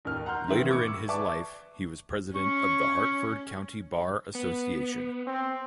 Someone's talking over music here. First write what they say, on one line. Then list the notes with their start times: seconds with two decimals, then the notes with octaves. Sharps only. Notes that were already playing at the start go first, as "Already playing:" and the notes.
Later in his life he was president of the Hartford County Bar Association.
0.05 A1 D#2 D#3 A#4 F6
0.26 F#5 A#5 C6 F6 G6
0.47 F#2 D#3 E3 E5 F#7
0.69 B5 C#6 D6 G#6 C#7
0.88 E6
1.08 B4 D5 E5 A5 C#6 D6
2.36 C#4 C#6
4.35 B3
5.27 C4